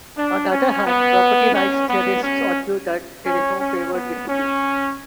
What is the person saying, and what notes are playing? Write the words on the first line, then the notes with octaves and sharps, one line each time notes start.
On the other hand, property rights theorists argue that there is no favored distribution.
D4
C#4
B3
C#4
B3
C#4
C#4
C#4
B3
C#4